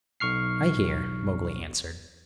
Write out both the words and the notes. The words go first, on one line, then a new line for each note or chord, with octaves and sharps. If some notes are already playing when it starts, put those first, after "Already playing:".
"I hear," Mowgli answered.
B1 C#6 F6 C7